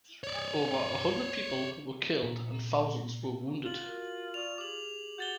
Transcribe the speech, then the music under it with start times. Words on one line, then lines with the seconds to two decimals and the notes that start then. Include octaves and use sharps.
Over a hundred people were killed and thousands were wounded.
0.24 C#5 D5
2.23 A#2
3.66 F4 F#7
3.86 F#4 A#4
4.34 D5 C#6 D#6 F7
4.58 G4 G#4 D6 F#7
5.18 F#4 G6 A6 G7